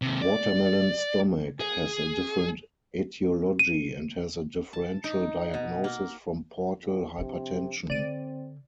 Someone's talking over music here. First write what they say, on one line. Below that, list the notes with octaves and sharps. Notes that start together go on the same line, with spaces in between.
Watermelon stomach has a different etiology and has a differential diagnosis from portal hypertension.
D#2 C3
D5
G#4
D#7
A5
D#4
B2
A#3
F2
C3 F3 D4
D3 C4 D5 D#7